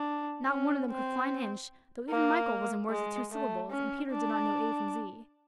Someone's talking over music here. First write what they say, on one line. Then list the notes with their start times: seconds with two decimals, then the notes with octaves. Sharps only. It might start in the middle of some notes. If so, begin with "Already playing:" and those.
Not one of them could fly an inch, though even Michael was in words of two syllables, and Peter did not know A from Z.
Already playing: D4
0.49 C#4
0.90 C4
2.10 A#3
2.90 G#3
3.31 A3
3.71 C#4
4.11 D4